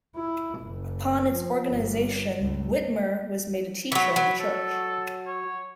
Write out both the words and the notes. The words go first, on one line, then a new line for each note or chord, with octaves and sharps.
Upon its organization, Whitmer was made a teacher in the church.
E4
F#1
F3
G1
C#2
E3 F#3 B5
F#3
A4
C#5